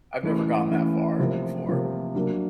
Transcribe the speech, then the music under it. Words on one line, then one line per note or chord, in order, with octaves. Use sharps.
I've never gone that far before.
E3 A3 C#4 E4
E3 A3 C#4 E4
C3 F3 A#3
C3 F3 A#3
F#3 A#3 D4